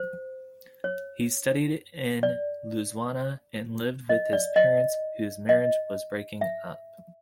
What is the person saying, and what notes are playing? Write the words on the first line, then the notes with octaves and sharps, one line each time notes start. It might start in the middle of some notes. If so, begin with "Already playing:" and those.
He studied in Lausanne and lived with his parents, whose marriage was breaking up.
Already playing: C5
C#5
D5
D#5
D5
D#5
D#5
E5